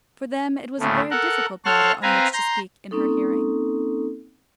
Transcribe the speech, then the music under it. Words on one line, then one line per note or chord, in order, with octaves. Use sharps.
For them it was a very difficult matter on which to speak in her hearing.
D2 A2 C#3 A3
A4 A#4 F#5
A4 C#5 F#5 A5 C6 F6
C4 B4 F5 G#5 A#5
A#5 C6 G6
A#3 C4 C#4 D#4 A4